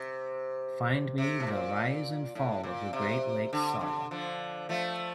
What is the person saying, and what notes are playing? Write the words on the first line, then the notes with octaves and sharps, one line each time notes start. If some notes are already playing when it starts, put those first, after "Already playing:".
Find me The Rise and Fall of the Great Lakes saga.
Already playing: C3
C3
A2
A#2
A2
A#2
C3
D3
D3
D3 F3
F3 A3